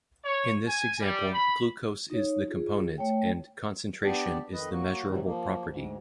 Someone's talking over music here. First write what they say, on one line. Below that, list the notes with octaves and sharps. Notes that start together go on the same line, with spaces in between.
In this example "glucose" is the component and "concentration" is the measurable property.
C#5
G#5
G3
B5
D#4 C#5
F4 G#4
A3 C#5 G5
B3 D4 G4 D5
F2 D#3 B4 D#5
F#3 A#3 F#4
G#2 C3 D#3 E3 F#3 G3
F3 A#3
D2 G#2